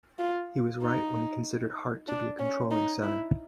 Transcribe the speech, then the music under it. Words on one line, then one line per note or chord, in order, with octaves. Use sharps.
He was right when he considered heart to be a controlling centre.
F4
D#4
D4
C#4
D#4
E4